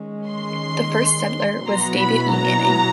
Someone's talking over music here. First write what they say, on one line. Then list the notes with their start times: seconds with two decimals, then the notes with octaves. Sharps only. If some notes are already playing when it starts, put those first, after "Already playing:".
The first settler was David E. Manning.
Already playing: D#3 G#3 C#4
0.28 C6
1.68 B2 F#3 B3 E4 A#5
1.99 B5
2.31 A#5